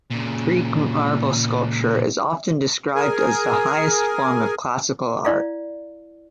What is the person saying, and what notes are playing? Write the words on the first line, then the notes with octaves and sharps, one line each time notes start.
Greek marble sculpture is often described as the highest form of Classical art.
A#2 C#3
G#4 A#4 G#5
E4 D5 F5